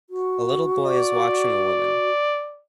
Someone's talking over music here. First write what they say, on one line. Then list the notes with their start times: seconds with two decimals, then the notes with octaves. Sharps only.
A little boy is watching a woman.
0.10 F#4
0.86 D5